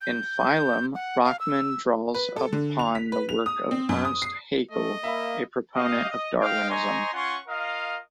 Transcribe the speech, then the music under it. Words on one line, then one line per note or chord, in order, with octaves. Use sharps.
In "Phylum", Rockman draws upon the work of Ernst Haeckel, a proponent of Darwinism.
G6
F#5
F5
E6
B4
A4
D3
F7
B6
B4
F7
D#6
C4
F#2
D#6
C7
A3 D#5
A#3 E5 F5 B5
G4 D#5 F5
D#5
D#5 F5 G5
C5 D#5 G#5 A#5 C6 C#6
C#4 F4 F#5 G#5 C6 C#6
F4 A#4 D#5 F5